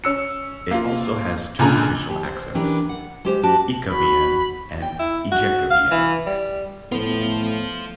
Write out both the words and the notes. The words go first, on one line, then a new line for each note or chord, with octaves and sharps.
It also has two official accents: Ekavian and Ijekavian.
C#4 E6 C#7
A#3 F4
C#2 A#2 D3 G#5 A#5
D#2 G4
C5
E3 C#4 D4 G4 A#4 B4
F#5
G#3 G4 C5
F#2 F#4 G4 A5
F#4 B5
G5
E4
F#4
F5
E3
G3
A2 A3 B3 F4 C5